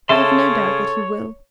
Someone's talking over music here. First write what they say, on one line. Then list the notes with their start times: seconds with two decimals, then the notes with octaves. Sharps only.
I have no doubt that he will.
0.09 C#3 A4 C#5 E5 A5 C6